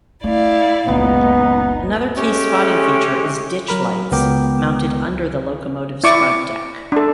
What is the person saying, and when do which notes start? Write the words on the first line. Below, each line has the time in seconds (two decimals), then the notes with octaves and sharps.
Another key spotting feature is ditchlights mounted under the locomotive's front deck.
0.24 A3 E4 D5 F5
0.88 F#1 C#2 A#2 B3 D#4
2.17 G#3 A3 C#4 G4
3.68 F#3 A#4 B5
4.12 C#2 B3 A#4 G5 D6
6.04 E4 D5 C#6 D6
6.92 D4 A4